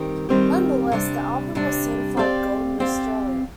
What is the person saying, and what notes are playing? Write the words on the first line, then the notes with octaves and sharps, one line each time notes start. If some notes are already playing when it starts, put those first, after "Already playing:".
Nonetheless, the album was certified gold in Australia.
Already playing: D#3 G3 C4 G4 A#4
D#3 G3 C4 G4 A#4
C3 G3 D4
C3 G3 D4
C4 G4 D5 F5
C4 G4 D5 F5